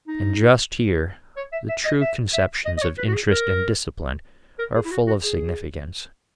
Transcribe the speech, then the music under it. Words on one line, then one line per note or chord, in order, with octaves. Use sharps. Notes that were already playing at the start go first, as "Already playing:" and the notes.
And just here the true conceptions of interest and discipline are full of significance.
D#4
C#5
E5
E5
D#5
E5
E5
D#5
D#5
C#5
B4
F#4
G#4
A#4
A#4
G#4
E4
F#4
F#4
G#4